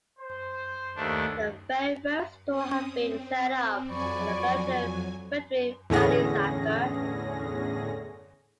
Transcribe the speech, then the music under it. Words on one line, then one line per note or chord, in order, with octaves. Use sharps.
The very first store had been set up by the Belgian Frederik Van Isacker.
C5
D#2 A3 D4
C4 C#4 D#6
C4
F2 F#3 D5 G#5 B5 C#6
E2 A2 D3 C#4 G#4 A#6